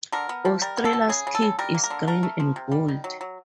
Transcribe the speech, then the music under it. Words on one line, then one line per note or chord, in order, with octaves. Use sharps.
Australia's kit is green and gold.
D3 A#4
B3
F3
G3 A#4
B3
A4
B2
C#3 G#4
C#3
A4
C#3
G3 A#4
A#3
A#4
D3
A3 A#4
A3
F3
C3
G3
D#3
F#3
F#3